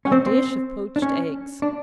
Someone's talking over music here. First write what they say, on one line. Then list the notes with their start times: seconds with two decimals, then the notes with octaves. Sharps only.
A Dish of Poached Eggs.
0.05 C#4
0.12 C4
0.26 C4
0.96 D4
1.02 C#4
1.62 D4